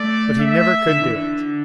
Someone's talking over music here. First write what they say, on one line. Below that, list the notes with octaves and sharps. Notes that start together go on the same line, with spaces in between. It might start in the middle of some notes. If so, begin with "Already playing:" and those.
But he never could do it.
Already playing: A3 D5
E5
D3
E3
D3